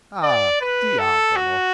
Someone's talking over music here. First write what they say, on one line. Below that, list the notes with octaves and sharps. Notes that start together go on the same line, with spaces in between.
Ah! diavolo!
D5
B4
A4
F#4